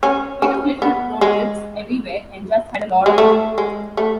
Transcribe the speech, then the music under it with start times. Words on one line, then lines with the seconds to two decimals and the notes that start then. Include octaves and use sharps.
We took little road trips everywhere and just had a lot of fun.
0.03 C#4
0.42 C#4
0.82 B3
1.21 G#3
3.06 G#3
3.18 A3
3.58 G#3
3.97 A3